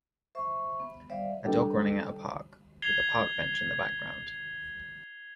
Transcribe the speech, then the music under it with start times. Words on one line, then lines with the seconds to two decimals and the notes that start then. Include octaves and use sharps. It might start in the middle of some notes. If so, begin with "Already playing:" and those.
A dog running at a park, with a park bench in the background.
0.35 C5 E5 C#6
0.80 B3
1.10 G3 C5 D5 E5 F5
1.44 G3 D4 A4 G5
2.82 G#6 C7 F7 G7